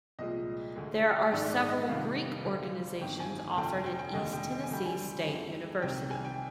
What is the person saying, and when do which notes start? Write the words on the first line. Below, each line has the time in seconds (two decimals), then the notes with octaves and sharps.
There are several Greek organizations offered at East Tennessee State University.
0.19 C2 A#2 F3 G#3 D#5
0.75 D2 D3 G#3
1.32 A#1 G#2 D#3 G#3 D5
1.51 D5
1.69 D#5
1.88 F2 C3 D#3 G3 F5
2.45 D2 D3 G3
3.01 G1 F2 D#3 G5
3.20 G#5
3.39 G#5
3.57 F1 F2 D3 G5
3.72 G#5
3.86 G5
3.99 G5
4.13 F1 D#2 D3 D#5
4.33 G5
4.63 G#5
4.71 D2 D3 G3 G5
4.86 G#5
5.26 F2 D3 G#3
5.82 C2 C3 D#3 G5
5.98 G5
6.10 G#5
6.25 G5